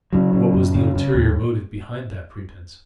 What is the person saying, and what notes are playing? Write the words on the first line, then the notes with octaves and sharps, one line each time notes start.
What was the ulterior motive behind that pretence?
C#3 F#3
C#3
F#2
C#3
C#3
D#2